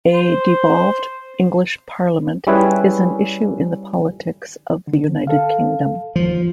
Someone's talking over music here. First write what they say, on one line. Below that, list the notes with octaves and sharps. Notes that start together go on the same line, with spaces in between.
A devolved English parliament is an issue in the politics of the United Kingdom.
C5
G3 C#4 E4 G#4 B4
D3
A4 F5
D#2 F3